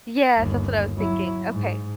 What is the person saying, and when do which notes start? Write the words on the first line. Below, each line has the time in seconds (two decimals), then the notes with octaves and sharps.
Yes, that's what I was thinking. Okay.
0.37 G1 D#2
0.97 F#3 E4
1.50 G#2